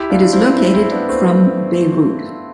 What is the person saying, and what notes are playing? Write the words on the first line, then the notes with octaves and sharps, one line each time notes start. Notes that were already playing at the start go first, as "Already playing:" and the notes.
It is located from Beirut.
Already playing: E4 G4
D4 F4
C4 E4
C4 E4
C4 E4
B3 D4
A3 C4